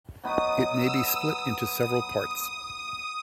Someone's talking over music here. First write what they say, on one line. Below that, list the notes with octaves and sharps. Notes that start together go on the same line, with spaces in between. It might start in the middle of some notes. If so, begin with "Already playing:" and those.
It may be split into several parts.
F#3 B3 D#4 D#6
E6
D#6